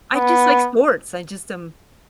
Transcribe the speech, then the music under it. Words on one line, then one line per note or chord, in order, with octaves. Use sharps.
I just like sports, I just um,
B3